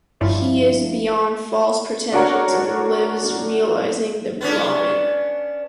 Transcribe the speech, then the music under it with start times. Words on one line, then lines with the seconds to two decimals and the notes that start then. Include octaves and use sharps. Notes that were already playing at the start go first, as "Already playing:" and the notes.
He is beyond false pretensions and lives realizing the Brahman.
0.21 G1 G2 F3 E4 F4 C#5
2.12 D4 F#4 A#4 C#5
4.41 B3 C#4 D4